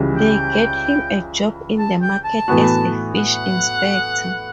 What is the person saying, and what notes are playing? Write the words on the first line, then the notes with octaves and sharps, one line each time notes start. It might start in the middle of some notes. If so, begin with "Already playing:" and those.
They get him a job in the market as a fish inspector.
Already playing: C#2 C#3 E3 G3
G5
A5
G5
A5
A2 E3 B3 F#4
F#5